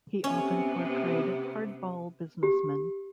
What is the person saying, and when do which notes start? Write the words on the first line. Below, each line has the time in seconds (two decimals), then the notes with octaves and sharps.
He often portrayed hard-ball businessmen.
0.24 C3 B3 C#4
2.43 G4